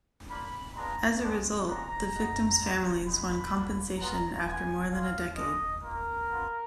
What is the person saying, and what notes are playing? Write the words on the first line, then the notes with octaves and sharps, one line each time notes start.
As a result, the victims' families won compensation after more than a decade.
A#3 D4 F4 B5
G#3 B3 D4 F4 A#5
G#3 B3 D4
G#3 D4 F#4 A#5
B3 D#4 F#4
B3 D4 F4
G#3 D#4 F#4 B5
A#3 D4 F#4
G#3 B3 F4 A#5
B3 F4 G#5
G#3 D4 F4 F5
G#3 D4 F4 D#5
A#3 F4 A#4
B3 F4